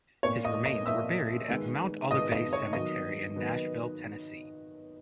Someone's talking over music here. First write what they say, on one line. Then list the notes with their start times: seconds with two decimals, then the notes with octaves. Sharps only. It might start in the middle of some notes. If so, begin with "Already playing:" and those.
His remains were buried at Mount Olivet Cemetery in Nashville, Tennessee.
0.23 A#3 C#5 C#6
0.28 A#2
0.45 D#5 D#6
0.65 D#5 D#6
0.86 A#2 A#3 E5 E6
1.48 D#3 G#3 B3
2.11 D#3 G#3 B3 D#5 D#6
2.32 D#5 D#6
2.53 C#5 C#6
2.73 D#3 F#3 B3 D#5 D#6
3.36 D#3 F#3 B3